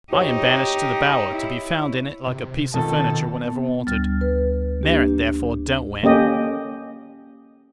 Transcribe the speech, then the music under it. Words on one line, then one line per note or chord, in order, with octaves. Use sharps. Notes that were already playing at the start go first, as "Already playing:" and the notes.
I am banished to the Bower, to be found in it like a piece of furniture whenever wanted. Merit, therefore, don't win.
D#4 G4 C#5
E4
C3
F2 B2 D#3 A4
B3
D2 G3 F6 A6
B4
A#3 D4 G4
A#3 C#4 G4 A4 D#5